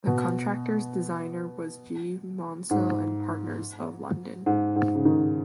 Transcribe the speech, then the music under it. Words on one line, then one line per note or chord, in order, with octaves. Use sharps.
The contractor's designer was G Maunsell and Partners of London.
B2
G#2
G#2
G#2
C#3
D#3